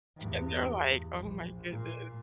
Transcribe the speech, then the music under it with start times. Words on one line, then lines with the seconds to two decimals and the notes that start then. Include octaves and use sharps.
And they're like, "Oh my goodness,"
0.17 E2 G2
1.19 A#1
1.70 A#2